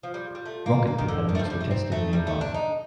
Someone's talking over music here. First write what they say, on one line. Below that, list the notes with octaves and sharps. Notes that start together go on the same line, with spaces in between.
Rocket propellants were tested nearby.
F3 F4
G3
G3
A3
A#3
A#3 D4
D#3
D3
D#3
A3
G3
F3
G3
A3 F4
C4 D#4
A3
G3
A3
D4
D4 D#4